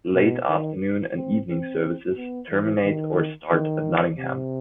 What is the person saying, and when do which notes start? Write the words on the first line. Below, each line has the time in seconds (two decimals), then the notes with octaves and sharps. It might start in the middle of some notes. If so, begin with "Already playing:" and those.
Late afternoon and evening services terminate or start at Nottingham.
0.15 B2
0.48 D#3
1.16 C4
1.50 C4
2.17 B3
2.50 E3
2.84 D#3
3.52 D#3
4.18 C3